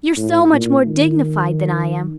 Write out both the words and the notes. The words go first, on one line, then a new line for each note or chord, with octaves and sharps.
You're so much more dignified than I am.
A2
A#2
D#3